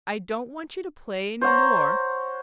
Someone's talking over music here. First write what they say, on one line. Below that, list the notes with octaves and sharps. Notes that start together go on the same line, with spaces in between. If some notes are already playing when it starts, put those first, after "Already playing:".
I don't want you to play any more.
C5 C#5 F#5 A#5